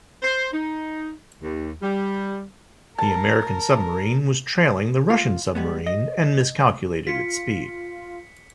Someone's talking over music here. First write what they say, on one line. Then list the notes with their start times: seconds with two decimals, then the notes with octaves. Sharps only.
The American submarine was trailing the Russian submarine and miscalculated its speed.
0.22 C5
0.53 D#4
1.41 D#2
1.82 G3
2.98 A#4 A5
5.10 F4
5.55 G3 G#3 B3
5.86 D#5
7.07 F4 B6 C#7